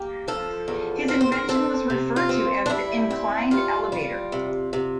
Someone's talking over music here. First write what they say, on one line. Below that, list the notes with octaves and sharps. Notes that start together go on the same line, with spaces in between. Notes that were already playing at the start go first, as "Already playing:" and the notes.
His invention was referred to as the inclined elevator.
Already playing: A#3 G4
F3 A4
E2
C4 A#4
C5
A#4
C4 A4
C3
F4
C4
D4
G3 E4
C4
G3 F4
G3
C3
C3